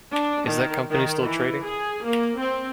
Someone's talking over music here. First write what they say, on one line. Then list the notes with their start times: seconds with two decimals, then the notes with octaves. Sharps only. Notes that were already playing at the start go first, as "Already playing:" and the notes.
Is that company still trading?
0.12 D4
0.49 D#3
0.90 D#3
1.21 E3
1.65 G#4
2.03 A#3
2.38 C4